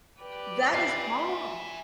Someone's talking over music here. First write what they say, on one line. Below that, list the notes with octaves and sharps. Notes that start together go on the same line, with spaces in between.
that is wrong.
G4 B4 D5
E5 G#5 C7